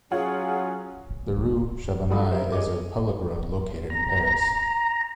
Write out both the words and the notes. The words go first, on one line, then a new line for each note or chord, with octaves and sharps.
The rue Chabanais is a public road located in Paris.
F#3 C#4 F4 G#4 C#5 F#5
F3 F#4 A4 D5 B5 D#6
A#4 C5 E5
G#4 C#5 D#5 D6
A#5